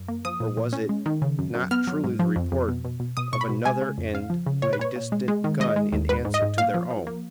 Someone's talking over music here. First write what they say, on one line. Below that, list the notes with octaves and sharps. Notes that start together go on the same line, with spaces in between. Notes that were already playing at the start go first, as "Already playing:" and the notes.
Or was it not truly the report of another and a distant gun in answer to their own?
Already playing: F#2
A#3
F3 D#6
A#2
A#2
C#4
G#3
D#3
C#3
F#2
F#2
B3 F6
F#3
G#2
F3
F2
F2
B2
B2
B2
B2 D#6
B2 C#6
B5
B2
G#3 G#5
C#3
F2
C#3 F5
F3
C#3
A#2 C#5
B4
A#2 C#5
A#2
G#3
G#3
D#3
G#3 D#5
G#3
D#2
G#2 B4
G#2
D#5
G#2
A#2 F5
F3
F3
A#3